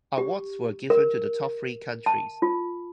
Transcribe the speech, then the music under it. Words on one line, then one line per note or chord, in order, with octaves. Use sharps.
Awards were given to the top three countries.
G4
A#4
A5
F4